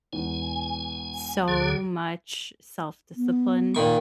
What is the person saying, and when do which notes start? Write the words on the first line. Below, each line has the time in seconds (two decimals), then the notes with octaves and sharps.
so much self-discipline
0.13 E1 E2 G#5
1.48 D2 D3 G#4
3.16 B3
3.75 A#2 D#3 C#6